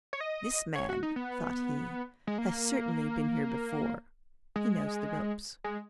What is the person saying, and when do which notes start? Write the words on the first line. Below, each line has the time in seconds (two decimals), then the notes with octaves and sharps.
"This man," thought he, "has certainly been here before; he knows the ropes."
0.13 C#5
0.20 D#5
0.76 C#5
0.89 F#4
1.03 D#4
1.16 B3
2.27 G#3
2.38 A#3
4.56 G#3
5.64 G#3